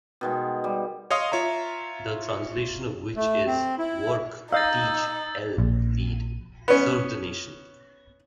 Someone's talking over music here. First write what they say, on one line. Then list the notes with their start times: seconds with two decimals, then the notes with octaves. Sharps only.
The translation of which is Work, Teach, Help, Lead - Serve the Nation.
0.21 B2 D#3 G#3
0.64 G3
1.10 C#5 D#5 F5 C6 D#6
1.32 F4 C#5 E5 A#5
3.16 A3
3.47 C4
3.79 E4
4.53 D#4 D#5 F5 E6 G6 A6
5.58 A#1
6.68 B3 C#4